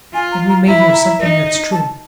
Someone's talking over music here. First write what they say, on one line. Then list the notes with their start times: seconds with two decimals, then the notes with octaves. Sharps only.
And we may hear something that's true.
0.14 F4 G#5
0.32 A#5
0.49 A#5
0.67 E4 A#5
0.79 B5
0.91 A#5
1.20 D#4
1.72 A5